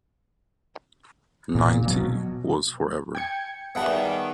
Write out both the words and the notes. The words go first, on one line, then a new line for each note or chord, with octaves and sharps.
"Ninety"... was forever.
A#2
B2 F#3
G5 G#6 C#7
D#3 G3 B3 G#4 E5 F#5 A5